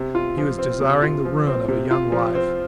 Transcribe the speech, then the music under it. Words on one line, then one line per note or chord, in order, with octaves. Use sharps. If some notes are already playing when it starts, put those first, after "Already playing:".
He was desiring the ruin of a young life.
Already playing: C3
F4
F3
C4
C3
F4
F3
C4
C3
F4
F3
C4